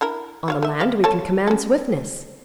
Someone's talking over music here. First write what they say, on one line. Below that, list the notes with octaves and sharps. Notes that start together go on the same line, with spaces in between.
On the land we can command swiftness.
D4 E4 A#4
F#4 C#5 F5
A3 E5
E5 F5
A4 C#5 A5
C#4 A4